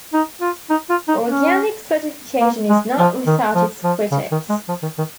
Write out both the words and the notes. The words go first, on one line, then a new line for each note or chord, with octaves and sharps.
Organic certification is not without its critics.
D#4
F4
D#4
F4
D#4
C#4
A#3
G#3
F3
D#3
F3
F3
C#3
D#3
G#3
F3
D#3
D#3